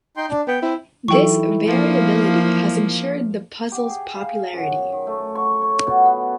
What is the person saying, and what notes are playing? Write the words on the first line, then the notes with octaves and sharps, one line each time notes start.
This variability has ensured the puzzle's popularity.
D#4 G5 C6
D4
B3 G5
C4 E4
E3 F#3 D#4 E4 A4 G5 C#6
F3 A#3
G4
G#4
F5
F#2
D#3
A3
C#6
C#5
B2
B3